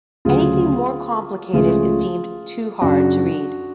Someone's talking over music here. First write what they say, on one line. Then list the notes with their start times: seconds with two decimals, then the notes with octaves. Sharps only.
Anything more complicated is deemed 'too hard to read.
0.25 D2 C#3 F#3 F4 G#4
1.53 C#2 C#3 F3 A3 C#4 F4 G#4
2.81 F#2 C#3 F#3 D4 F#4